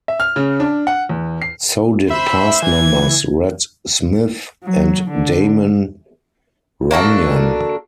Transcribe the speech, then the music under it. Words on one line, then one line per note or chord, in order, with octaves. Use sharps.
So did past members Red Smith and Damon Runyon.
E5
F6
C#3
D4
F#5
E2
C7
C5 E5 B5
E3 G#6
F#3
D3
A#3 D4 F#4 A4